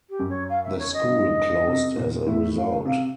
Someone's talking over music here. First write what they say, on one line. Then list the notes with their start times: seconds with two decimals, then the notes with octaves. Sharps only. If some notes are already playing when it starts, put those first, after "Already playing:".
The school closed as a result.
0.09 G4
0.19 F#2
0.29 C#5
0.49 F5
0.64 E5
0.78 C#5
0.93 D#5
1.08 G2
1.67 C3
1.97 A#2
2.26 A2 E5
2.56 F5
2.85 C3 F5